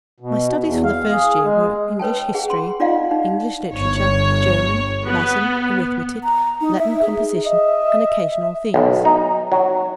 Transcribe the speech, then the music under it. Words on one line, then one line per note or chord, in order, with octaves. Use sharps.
My studies for the first year were English history, English literature, German, Latin, arithmetic, Latin composition and occasional themes.
B2
E2
F5
G#4
G#3
B4 C#5 G5 A5
G#4 F#5
C6
D#4 F4 D5 D#5 F5 F#5
D#4
G1 C#5
B3
A#5
D#4
E5
G#4
D#5 E5
B1
D#4
F#3